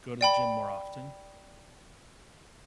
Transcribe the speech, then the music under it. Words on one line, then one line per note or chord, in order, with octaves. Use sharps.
go to the gym more often,
D5 G5 B5